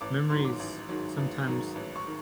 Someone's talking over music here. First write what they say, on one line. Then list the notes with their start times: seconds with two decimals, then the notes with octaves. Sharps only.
memories, sometimes
0.01 A1 D6
0.30 G#2 D#3 F#3 C6
0.45 D6
0.59 A1
0.89 G#2 D#3 F#3
1.18 A1
1.47 G#2 D#3 F#3
1.76 A1
1.96 C#6
2.07 D#3